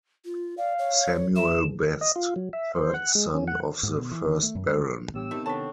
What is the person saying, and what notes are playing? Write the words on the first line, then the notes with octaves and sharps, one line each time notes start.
Samuel Best, third son of the first Baron.
F4
D5 F5
C#5
E5 E7
D#5
F4
F#3
E5
C5
F#5
G#3
C#4
F#5
G#2
B2
E3
D3
A3
F#2
G#3
A1 G2 B3 G4 C#5 E6
C3 D#3 G3 A3
B3 C4 D4 A4 B4 C#5 A5 C#6